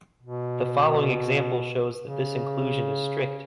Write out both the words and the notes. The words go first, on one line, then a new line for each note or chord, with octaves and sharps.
The following example shows that this inclusion is strict.
B2
C#3